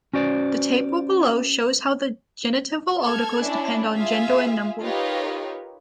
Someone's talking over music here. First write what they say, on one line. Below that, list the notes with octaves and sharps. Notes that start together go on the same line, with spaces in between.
The table below shows how the genitival articles depend on gender and number.
C#4 F#4 C5 D5
A4 F6 G#6
C#4 D4 E4
F4 G#4 E5 F5
D#4 F4 G4 A#4 B4 C#5